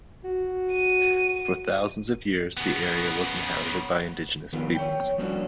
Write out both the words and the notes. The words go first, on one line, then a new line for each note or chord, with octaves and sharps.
For thousands of years the area was inhabited by indigenous peoples.
F#4
D#7
C#3 B3
D#3 F3 B3 F4 G4 A#4
C#5 G5
F3 G3 A#3 C#4 D4 F#4